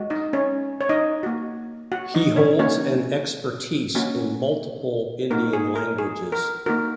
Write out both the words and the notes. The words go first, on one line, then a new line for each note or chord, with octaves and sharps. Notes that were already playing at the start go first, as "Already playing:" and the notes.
He holds an expertise in multiple Indian languages.
Already playing: G#3 F#4
D#4 D#5
C#4 C#5
C#5
D#4 D#5
A#3 F#4
F#4 F#5
D#4 D#5
C#4 C#5
A#3 C#4 D#4 F#4 C#5
A#3 C#4 F#4
A#3 D#4 F#4 A#4
G#4
A#4
G#4
A#4
A#3 D#4 F#4 A#4